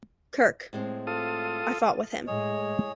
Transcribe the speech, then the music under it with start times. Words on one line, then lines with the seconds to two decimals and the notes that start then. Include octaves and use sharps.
Kirk: I fought with him.
0.73 A2 G#3 C4
1.07 F4 A4 D#6
2.27 A2 G#3 G#4 C#5 D#5